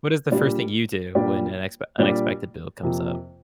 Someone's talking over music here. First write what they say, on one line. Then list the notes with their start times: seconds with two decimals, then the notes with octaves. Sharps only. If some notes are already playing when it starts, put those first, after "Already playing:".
What is the first thing you do when an expe unexpected bill comes up?
0.31 A#2 G3 D4 G4
1.15 A#2 G3 D4 G4
1.98 A#2 G3 D4 G4
2.83 F2 C3 F3 A#3